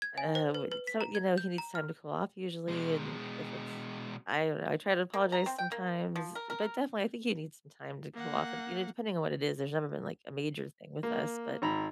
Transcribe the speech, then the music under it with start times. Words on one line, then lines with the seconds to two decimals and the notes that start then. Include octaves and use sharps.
uh, what it so, you know, he needs time to cool off usually, and if it's I don't know, I try to apologize sometimes, d but, definitely, I think he needs some time to cool off, and, you know, depending on what it is, there's never been, like, a major thing with us, but
0.02 G#6
0.18 G#5
0.35 C5
0.54 B4
0.72 B4
0.87 B6
1.01 A#5
1.15 G#6
1.38 G6
1.58 A#5
1.75 F6
2.68 B2 G#3
5.14 A#3
5.32 A#5
5.46 C4
5.58 G5
5.72 A#3
6.16 F3
6.35 A#4
6.50 A#4
8.14 A#3 F#5
11.03 A#3
11.62 G#1 A#5 B5